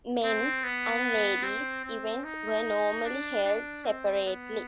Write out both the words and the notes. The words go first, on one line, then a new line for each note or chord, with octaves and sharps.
Men's and Ladies events were normally held separately.
C4
B3
C4
C4
D#4
D4
D4
C4
B3